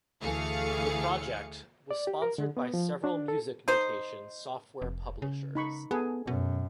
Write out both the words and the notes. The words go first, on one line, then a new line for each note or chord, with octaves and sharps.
The project was sponsored by several music notation software publishers.
D2 E3 A3 G#4 F5 C#7
D5
G4
A#4
D3
B3
F3
D4
A4
D#4 C5
F1
C#3
D#4 B5 C#6
B3 G#4 A4
F#2 B2